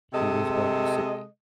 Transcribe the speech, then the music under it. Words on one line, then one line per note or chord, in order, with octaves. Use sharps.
He was born in Sydney.
C3 G#3 A4 D#5